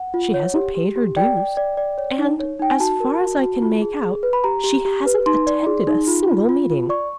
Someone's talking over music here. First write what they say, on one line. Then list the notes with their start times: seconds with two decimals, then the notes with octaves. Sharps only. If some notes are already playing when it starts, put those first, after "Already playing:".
She hasn't paid her dues, and, as far as I can make out, she hasn't attended a single meeting.
Already playing: F#5
0.14 F4
0.34 C#5
0.55 G4
0.75 G4
0.96 G4
1.16 D5 G5
1.37 D5
1.57 D5
1.77 D5
1.98 C#5
2.18 D#4
2.40 C#5
2.59 D#4 G5
2.71 G#5
2.80 F#4 A5
3.00 A#4
3.21 F#4
3.42 F#4
3.62 F4
3.82 G#4
4.03 G#4
4.23 B4
4.33 B5
4.44 G4 A#5
4.64 G4
4.85 G4
5.06 B4
5.26 D#4 C6
5.47 D5
5.67 G#4
5.87 D#4
6.08 F4
6.28 F4
6.49 F4
6.70 F4
6.89 D5 C#6